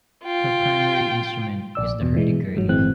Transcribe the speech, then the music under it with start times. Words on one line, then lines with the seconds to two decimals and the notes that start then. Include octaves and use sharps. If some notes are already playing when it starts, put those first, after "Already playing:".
Her primary instrument is the hurdy-gurdy.
0.24 F4 G5
1.75 A#1 D5 E6
2.01 E2 B2
2.15 B2 E3 G#3
2.55 G1 G#2 F#3
2.69 G1 A2 E3 G#3 C4 F#6